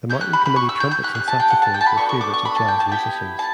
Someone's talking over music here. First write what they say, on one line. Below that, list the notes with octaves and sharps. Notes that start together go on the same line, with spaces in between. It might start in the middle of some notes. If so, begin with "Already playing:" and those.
The Martin Committee trumpets and saxophones were favorites of jazz musicians.
C#4 E4 G4 G6
F#6
B5
B5
C#6
E6
G6
G6
C#4 G4 F#6
F#6
A5
G5
F#5
A5
G5
A5
B5
B3 D4 F#4 A4 C#6
C#6
D6
C#6
B5
A5
G5
A5
B3 E4 G4 G5
A5